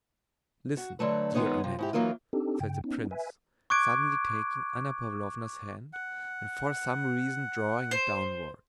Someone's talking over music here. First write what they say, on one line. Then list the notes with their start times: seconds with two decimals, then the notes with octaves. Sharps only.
"Listen, dear Annette," said the prince, suddenly taking Anna Pavlovna's hand and for some reason drawing it downwards.
0.77 F#4
0.99 D3 F#3 A3 B4
1.34 D#3 F3 G#3 B3 D#4 C#5
1.64 C3 F3
1.79 G#2 E4 G4
1.93 E3 F#3 A#3 D#4 F4
2.33 C4 D4 D#4 G4 A4
2.60 G2 C#3 G5
2.84 B3 C#4 D#4
3.11 B4 E5 G#5
3.70 C#6 D6 F#6 G#6 D7
5.93 F#5
7.91 C5